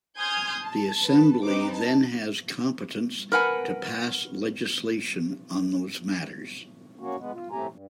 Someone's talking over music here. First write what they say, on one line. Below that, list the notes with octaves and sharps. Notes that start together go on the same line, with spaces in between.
The Assembly then has competence to pass legislation on those Matters.
G#5 C6 D#6 F6 G6 G#6
A5
A4 B4 A5
C4 D#4 B4 D6
A5
A#4 B4 F#5 G#5
A#3 C#4 F#4
G#3 B3
F4
A2 A3 C4 G4 G#5 A#5
G2